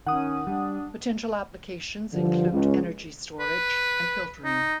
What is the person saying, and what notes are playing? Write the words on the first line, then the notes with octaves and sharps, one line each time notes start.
Potential applications include energy storage and filtering.
D#3 C#4 F#5 D#6
G3 D4
G2 D3 F3
C#2
B4
D#4